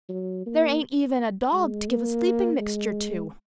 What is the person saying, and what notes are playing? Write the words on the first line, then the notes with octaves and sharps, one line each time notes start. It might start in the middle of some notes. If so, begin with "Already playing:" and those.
There ain't even a dog to give a sleeping-mixture to.
F#3
A#3
G#3
A#3
G#3